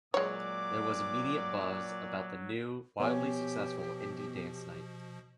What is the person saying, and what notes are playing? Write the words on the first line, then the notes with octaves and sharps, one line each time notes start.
There was immediate buzz about the new, "wildly successful" indie dance night.
A#2 F#3 G#3 C#5 D5 D6
B2 F3 B3 G4 C#5 G#5